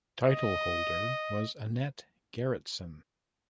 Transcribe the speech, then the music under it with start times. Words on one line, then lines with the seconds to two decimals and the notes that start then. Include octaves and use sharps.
Title holder was Annette Gerritsen.
0.23 D#5